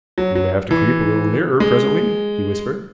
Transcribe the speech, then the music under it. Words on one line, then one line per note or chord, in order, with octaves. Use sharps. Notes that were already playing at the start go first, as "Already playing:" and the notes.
"We may have to creep a little nearer presently," he whispered.
F#3
F#3
E3
G#3